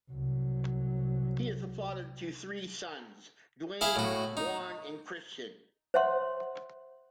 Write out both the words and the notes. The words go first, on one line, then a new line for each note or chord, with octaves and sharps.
He is the father to three sons, Duane, Gawen and Christian.
C2 F#3
E4 G#4 E5 F5
A2 F#4
D#4
C5 C#5 E5 F#5 C6